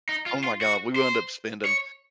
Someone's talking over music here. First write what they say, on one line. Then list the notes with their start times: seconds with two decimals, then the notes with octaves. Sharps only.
Oh my god. We wound up spending
0.09 D#4
0.26 F4
0.44 F4
0.61 F#4
0.96 C5
1.65 C#5